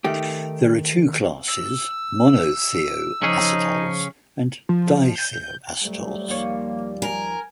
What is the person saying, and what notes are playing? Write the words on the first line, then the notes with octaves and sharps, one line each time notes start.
There are two classes: monothioacetals and dithioacetals.
D#3 A3 G4
E6
C#3 F3 C#4 D#4 G#4
F3
G6
F2 F#3 G3 A3
D#2 F3 A#3 C#5
A#4 G#5